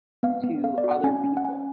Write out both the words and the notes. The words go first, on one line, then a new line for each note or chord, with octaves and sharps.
to other people
B3 F5
B3
A4 F5
D5
F#4
F#5
C#4 G#5
C#4
F#5
C#4 G#5